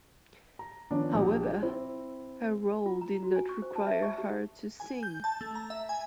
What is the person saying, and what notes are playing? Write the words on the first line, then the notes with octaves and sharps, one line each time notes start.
However, her role did not require her to sing.
A#5
D#3 F3 B3 C#4 D4
A#1 G4
C4 E4
F4
A#5
F#4
G#5
C#6
C5
A5
E5
C#6
G4
G#5
G6
A5
A3
A#5
E5
G#5